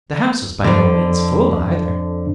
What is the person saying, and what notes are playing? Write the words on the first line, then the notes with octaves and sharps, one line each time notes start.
The house was by no means full, either.
F2 D3